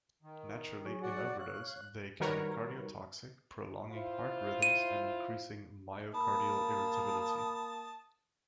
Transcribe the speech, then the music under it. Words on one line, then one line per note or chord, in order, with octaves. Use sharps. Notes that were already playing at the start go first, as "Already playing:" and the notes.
Naturally, in overdose, they can be cardiotoxic, prolonging heart rhythms and increasing myocardial irritability.
D#3
F#3 G#4 C#5
F#4 D5 F#5
C#5 F5 F#6
D#3 G3 F#4 A#4 B4 C#5
E4 F4 C5
D#7
A#3 A5 B5 D#6